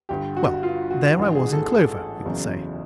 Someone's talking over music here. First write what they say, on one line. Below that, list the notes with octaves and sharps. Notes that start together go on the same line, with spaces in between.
Well, there I was in clover, you will say.
G1 G2 D3 G4
F#4
F4
F#4
A1 G#2 E3 F#4
G#4
A4
G#4
F#1 E2 C#3 F#3